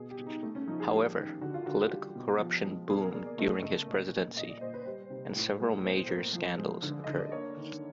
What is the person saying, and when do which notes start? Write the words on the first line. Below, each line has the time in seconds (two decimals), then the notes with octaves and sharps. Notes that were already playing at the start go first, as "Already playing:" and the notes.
However, political corruption boomed during his presidency and several major scandals occurred.
Already playing: B2 G#4
0.10 G4
0.18 B2
0.27 D#4
0.43 A3
0.55 C#4
0.68 F3 D#4
0.80 G#4
0.92 G#3 G4
1.17 D#3
1.42 D3 F#4
1.54 F4
1.66 D3 F#4
1.78 G4
1.91 G3
2.15 B2
2.40 F3
2.64 G#3
2.89 B2 G#4
3.01 A#4
3.13 A#3 D5
3.26 D5
3.38 A3 D#5
3.63 C#3
3.87 A#2
4.12 A#2
4.37 A#2 D#5
4.49 D5
4.61 A#2 C5
4.74 B4
4.86 G3 C5
5.10 C3
5.36 A2
5.60 G#3
5.84 B2 C5
6.09 A#3
6.33 F3
6.58 G#3
6.82 D3
7.04 D3 D#5
7.18 D5
7.32 A#3 C#5
7.57 D#3